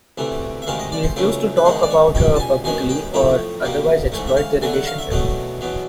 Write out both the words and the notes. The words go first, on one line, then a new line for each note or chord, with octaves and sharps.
He refused to talk about her publicly or otherwise exploit their relationship.
D2 C3 E3 A3
E5
D2 C3 D#3 G#3 F5
D#5
D5
C5
C#2 C#3 F#3 A3 C5
B4
G#2 D#3 G#3 B3 C5
D5
C#5
C#2 B2 G3 G5
A5
G#5
F#2 D#3 G#3 B3 G#5
G5
A2 F3 A3 G5
B2 G3 A#3
G#2 E3 A3
E5
F5
D2 D3 F#3 A3 G#5
F#5
F5
E5
E2 B2 F#3 A3 D#5
E2 B2 F#3